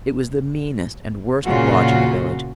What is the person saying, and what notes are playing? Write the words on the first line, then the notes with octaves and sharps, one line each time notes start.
It was the meanest and worst lodge in the village.
A#2 C#3 F4 F#4